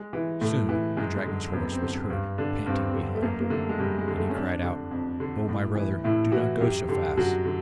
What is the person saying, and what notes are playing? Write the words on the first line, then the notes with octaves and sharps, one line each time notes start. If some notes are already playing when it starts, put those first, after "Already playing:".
Soon the dragon's horse was heard panting behind, and he cried out, 'Oh, my brother, do not go so fast!
Already playing: G#3
E3
A2 A3
E3
F#2 G#3
G#3
D3
F#2 B3
C4
D3
C4
G2
D3 D4
G2 C4
C4
D3
A3
F#2 A#3
A#3
D3 A3
G#3
F#2 G3
G#3
D3
A3
C#4
F2 D4
D3
F2
D3
A2
E3
A2 E4
E3 F#4
F#2 G4
D3 G4
F#2 F#4
D3